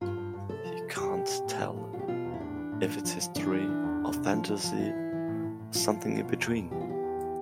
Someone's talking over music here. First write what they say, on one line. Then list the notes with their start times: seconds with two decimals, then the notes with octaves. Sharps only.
He can't tell if its history, or fantasy, or something in between.
0.01 G2 F4
0.17 G2
0.33 G2
0.49 C3 A4
0.64 F3
0.80 C3
0.97 E2 G4
1.13 B2
1.29 B2
1.45 A2
1.61 A2
1.76 F3
1.92 B2 F4
1.99 G4
2.08 B2 F4
2.24 E2
2.34 E4
2.40 A2 D4
2.56 E3
2.72 A2
2.88 F3
3.04 F3
3.20 F3
3.36 E3 D4
3.52 E3
3.68 E3
3.84 E2
4.01 E2
4.16 C3
4.32 F3
4.47 F3
4.64 F3
4.80 E3 E4
4.96 E3
5.12 E3
5.28 A2
5.43 A2
5.59 A2
5.75 F3 F4
5.92 F3
6.07 F3
6.23 B2
6.39 E2
6.55 B2
6.71 E3 G4
6.81 F4
6.88 E3 G4
7.03 E2
7.19 E3